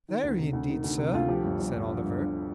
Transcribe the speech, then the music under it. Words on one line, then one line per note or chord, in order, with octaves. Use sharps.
'Very indeed, sir,' said Oliver.
D#3
D2
C3
D2
D#3
D2
C3
D2 F4
F3 G4
G1
G2
G1
F3
G1
G2